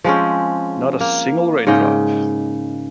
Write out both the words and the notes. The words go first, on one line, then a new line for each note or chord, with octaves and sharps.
Not a single raindrop!
F3 G#3 C4 C#4
A#3
G#2 C#3 D#5 G5